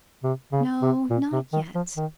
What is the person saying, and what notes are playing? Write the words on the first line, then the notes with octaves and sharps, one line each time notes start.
'No, not yet.
C3
C#3
C3
A#2
C3
D#3
F3
D#3